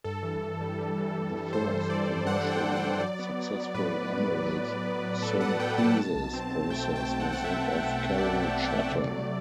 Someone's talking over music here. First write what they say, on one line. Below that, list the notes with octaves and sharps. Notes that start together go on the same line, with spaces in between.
The first commercially successful emerald synthesis process was that of Carroll Chatham.
G2 A4
E3
E3
G3
G3
E3
E3
G2
E3 C5
G3
E3 D5
G2
G2 F#5
D4
G5
D4
F#5
G2
F#3 D5
B3
F#3
B3
A2 B4
F#3
F#3
F#3
A2
A2
B3
F#3
A2 A4
F#3 F#5
F#3 G5
A2 A5
B2
B1
C4
B1
A3 G5
B2
G5
A3
F#5
B1
F#5
B1 E5
C4
B1
C4
A3 D5
C4
C4
A3
C3
F#3